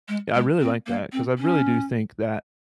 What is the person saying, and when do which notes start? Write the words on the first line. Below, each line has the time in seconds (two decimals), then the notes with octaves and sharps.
Yeah, I really like that 'cause I really do think that
0.08 G#3
0.34 G#3
0.61 C4
0.86 A#3
1.12 C4
1.38 C#4